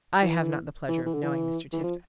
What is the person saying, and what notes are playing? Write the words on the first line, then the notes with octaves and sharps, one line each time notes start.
"I have not the pleasure of knowing Mr. Tifto."
E3
E3
E3
D3
E3
E3
F3